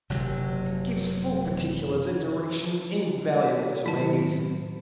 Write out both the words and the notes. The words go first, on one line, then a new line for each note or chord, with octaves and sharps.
It gives full particulars and directions invaluable to ladies.
F#1 C3 F#3
A2 D#3 F#3 E4 A5